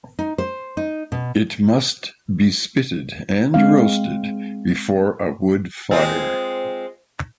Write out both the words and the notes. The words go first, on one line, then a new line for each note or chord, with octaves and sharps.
It must be spitted and roasted before a wood fire.
D#4
C5
D#4
B2
G#3 C4 F5
G#3 C4 F4